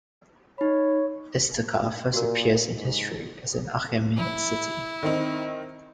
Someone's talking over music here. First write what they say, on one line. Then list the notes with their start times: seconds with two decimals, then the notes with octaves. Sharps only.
Istakhr first appears in history as an Achaemenid city.
0.58 D#4 C#5 B5
2.13 A#2 F#4 A#4
2.74 G#2
4.17 E4
5.03 D#3 C4 D#4